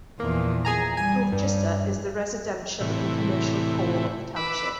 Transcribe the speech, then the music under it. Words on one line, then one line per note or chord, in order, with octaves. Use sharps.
Dorchester is the residential and commercial core of the township.
E2 A#2 F3 A#3
G#4 G#5 A#5
G3 G#5
G2
A2 C3 E3
B4 B5 D6 E6